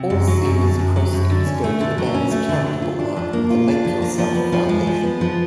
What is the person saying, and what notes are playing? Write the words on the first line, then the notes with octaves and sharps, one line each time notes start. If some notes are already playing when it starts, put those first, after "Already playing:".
All series proceeds go to the band's charitable arm, the Make Yourself Foundation.
Already playing: C3
F#2
F#3
F#2
D3
F#2
F#3
F#2
D3
C#4
A3
D3
F#3
C#4
A3
D3
F#3
F4
D4
F3
A#3
F4
D4
F3
A#3
F3
B3
F3
G#3
F3
B3
F3